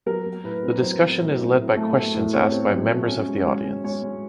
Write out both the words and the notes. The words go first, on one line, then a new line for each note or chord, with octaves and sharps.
The discussion is led by questions asked by members of the audience.
F#3 A#4
F#3
A2 B4
C4
F#3 C5
C4
A2
C4
A2
A3
A3
A2
C4 C#5
C4
F#3
F#3
C#4
G#3
G#3
G#3
G#3 C#5
G#3